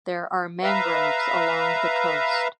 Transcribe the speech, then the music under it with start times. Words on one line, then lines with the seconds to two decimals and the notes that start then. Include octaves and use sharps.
There are mangroves along the coast.
0.63 B4 E5 F5 A#5